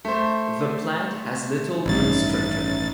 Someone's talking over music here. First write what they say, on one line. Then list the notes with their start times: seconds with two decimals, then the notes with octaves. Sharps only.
The plant has little root structure.
0.05 A3 C5
1.86 A1 G2 D#3 C#4 E4 A6